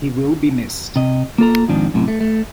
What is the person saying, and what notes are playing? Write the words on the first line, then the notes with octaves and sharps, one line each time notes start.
He will be missed.
C3 D#5
A#3 F4 A4 A#5
F2 G#2 D#3 F3 D4
F#2 A2 C3
A3
A3